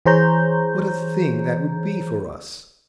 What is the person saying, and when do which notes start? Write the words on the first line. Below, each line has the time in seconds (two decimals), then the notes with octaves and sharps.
'What a thing that would be for us!'
0.06 E3 G#4 C5 C#5 A#5 G6